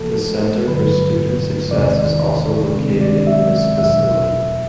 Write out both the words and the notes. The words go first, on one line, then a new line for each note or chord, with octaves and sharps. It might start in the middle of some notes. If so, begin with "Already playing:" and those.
The Center for Student Success is also located in this facility.
Already playing: C3 F3 A#3 A4
G2 D3 F#3 B4
E2 C3 D#3 D5
C3 D#3 G#3 C4
D5
E5
E2 B2 F#3 E5